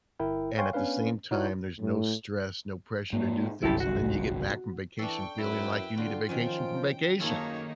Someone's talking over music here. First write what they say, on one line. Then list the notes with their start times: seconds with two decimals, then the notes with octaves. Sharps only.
and at the same time, there's no stress, no pressure to do things. And then you get back from vacation feeling like you need a vacation from vacation.
0.20 G1 E4 A#4 G5
0.57 C#5 F5 G5 G#5 C6 C#6
0.73 B3 C#4 D4 B4 F5
1.31 D#4 E4 F#4 C#5
1.79 A2
3.13 G#2 A#3
3.63 G1 C2 F#2 E4 G4 A4
3.80 F#4
4.99 E3 D4 A4 G5 C#6
5.38 F#2 E4 B4
5.97 D3 F4 F#4
6.29 D#3 F3 F#3 C#4 G5
7.20 F#2 D#3 A#3 D#4 F4 G#4 A4 C#5